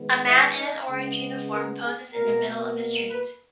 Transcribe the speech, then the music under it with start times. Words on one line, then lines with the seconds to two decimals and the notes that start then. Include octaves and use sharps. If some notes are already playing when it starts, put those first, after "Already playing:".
A man in an orange uniform poses in the middle of a street.
Already playing: D#3 G#3 B3
0.26 E4
0.58 D#4
0.88 C#3 G#3 B3
1.52 A#4
1.84 G#4
2.15 B2 A#3 A#4
3.10 B4